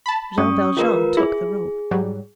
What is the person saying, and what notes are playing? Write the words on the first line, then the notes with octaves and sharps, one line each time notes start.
Jean Valjean took the rope.
A5 B5
G2 F#3 G3 C#4 C#6 D#6
D#3 G#3 F4 A#4 B4
E4 G#4
G#2 F#3 G3